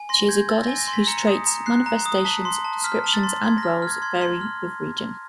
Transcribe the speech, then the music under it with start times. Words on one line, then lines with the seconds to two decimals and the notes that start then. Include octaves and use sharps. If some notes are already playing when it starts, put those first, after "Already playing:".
She is a goddess whose traits, manifestations, descriptions, and roles vary with region.
Already playing: G#5
0.09 C6 A#6
0.29 G6 G#6
0.49 E6 A6
0.63 A#6
0.68 G#5
0.78 A#6
0.88 C6
0.93 B6
1.07 A#5 C#7
1.27 D#6
1.47 A#5
1.66 F#6 C7
1.86 A#5
2.06 D#6
2.25 A5 B6
2.45 C6
2.65 A5
2.84 F6 B6
3.04 A5
3.14 A6
3.23 C6
3.42 C6 G#6
3.58 A#6
3.63 F6
3.82 F6
3.87 G#6
4.02 C6 G#6
4.21 C6
4.41 F6